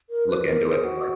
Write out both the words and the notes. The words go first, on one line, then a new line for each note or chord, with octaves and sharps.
look into it more.
A#4
B4
A#4
G#4
F#4